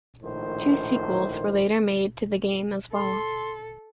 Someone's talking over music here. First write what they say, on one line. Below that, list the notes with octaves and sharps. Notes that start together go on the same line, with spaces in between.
Two sequels were later made to the game as well.
A#1 A2 D#3 C5
A4 C6